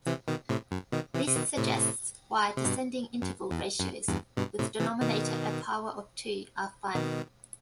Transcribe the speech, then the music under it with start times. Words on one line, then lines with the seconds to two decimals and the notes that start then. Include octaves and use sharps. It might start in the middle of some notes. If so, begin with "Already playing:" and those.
This suggests why descending interval ratios with denominator a power of two are final.
0.06 C3 E3
0.28 B2 D#3
0.49 A2 C3
0.71 F#2
0.92 B2 D#3
1.14 C3 E3
1.27 C3
1.35 B2 D#3
1.57 A2 C3
2.57 C3
2.65 G2 B2
3.22 F#2
3.51 E2
3.80 F#2
4.08 E2 G2
4.37 G2 B2
4.59 A2 C3
4.79 C3 E3
5.01 B2 D#3
6.95 B2 D#3